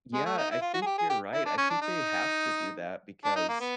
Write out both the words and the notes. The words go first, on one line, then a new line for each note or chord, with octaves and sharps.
Yeah, I think you're right, I think they have to do that because,
G#3
A3
D#4
E4
F4
F#4
G#4
G4
G#4
G4
E4
D4
C#4
D4
D#4
D4
D#4
A#3
B3